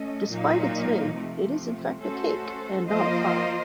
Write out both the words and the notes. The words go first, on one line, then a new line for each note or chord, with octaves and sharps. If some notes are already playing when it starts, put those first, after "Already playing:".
Despite its name, it is in fact a cake, and not a pie.
Already playing: A3 C#4 A4 D#5
A#2 F#3 A#3 D#4
C3 F3 A3
A3 C#4 F#4 A4 C5
F3 A#3 F4 C5 D#5